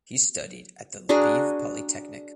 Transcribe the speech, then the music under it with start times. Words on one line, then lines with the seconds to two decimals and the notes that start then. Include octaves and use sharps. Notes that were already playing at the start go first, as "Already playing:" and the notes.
He studied at the Lviv Polytechnic.
1.09 D4 F#4 G#4 A#4